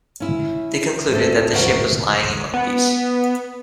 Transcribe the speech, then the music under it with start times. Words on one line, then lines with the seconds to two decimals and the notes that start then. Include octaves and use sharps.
They concluded that the ship was lying in one piece.
0.20 C#4 E4
1.12 A2 C4 A4
1.52 D2 A2 F#4 A#4 B4 F#5
2.54 B3